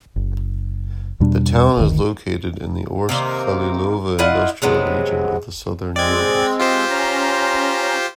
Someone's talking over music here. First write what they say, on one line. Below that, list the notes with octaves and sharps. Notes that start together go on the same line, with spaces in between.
The town is located in the Orsk-Khalilovo industrial region of the southern Urals.
F#1
E2 B2 G3 D4
F#1 D2 D#3
C3 D#3 A#3
E4 F4 D#5 F#5
C3 F#3 G#3 B3
G#3 C4 D5 G#6
F4 G4 C5
C#4 A#5